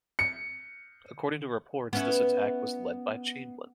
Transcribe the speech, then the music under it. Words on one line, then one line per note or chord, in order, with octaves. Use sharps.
According to reports, this attack was led by Chamblain.
C#7
B3 C#4 E4